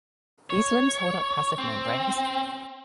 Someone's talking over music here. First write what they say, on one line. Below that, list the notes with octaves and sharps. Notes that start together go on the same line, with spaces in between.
These limbs hold up passive membranes.
C#5
C4